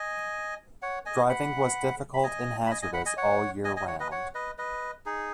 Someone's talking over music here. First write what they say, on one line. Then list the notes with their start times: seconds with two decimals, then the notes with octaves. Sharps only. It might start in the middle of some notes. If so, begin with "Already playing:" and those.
Driving was difficult and hazardous all year round.
Already playing: D#5 G#5
0.82 C#5 F#5
1.05 D#5 G#5
1.29 F#5 B5
2.14 B5
2.23 D#5 G#5
2.66 B5
2.71 D#5 G#5
2.82 D#5 G#5
2.94 F#5 B5
3.06 D#5 G#5
3.17 C#5 F#5
3.64 D#5 G#5
3.76 D#5 G#5
3.88 C#5 F#5
4.00 B4 D#5
4.11 C#5 F#5
4.35 B4 D#5
4.58 B4 D#5
5.06 D#4 G#4